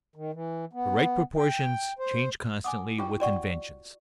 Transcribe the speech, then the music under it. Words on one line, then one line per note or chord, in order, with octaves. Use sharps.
The right proportions change constantly with inventions.
D#3
E3
B3
G5
C5
F#5 G#5 D6 D#6
E4 F4 G4 G5
F#4 D5 F#5 G5 C#6